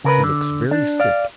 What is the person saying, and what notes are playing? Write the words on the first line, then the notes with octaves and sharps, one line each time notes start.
He looks very sick.
C#3 A#4 B4
D3
D4
D5 F5